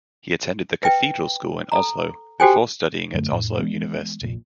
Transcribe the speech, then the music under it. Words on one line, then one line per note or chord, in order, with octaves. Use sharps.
He attended the Cathedral School in Oslo before studying at Oslo University.
B4 E5 G5
A4 A#5
F#4 G4 A4 C5 G5 G#5
F#2 D3 A3
F2 A2
E3 G#3 B3
F1 A#1 A#2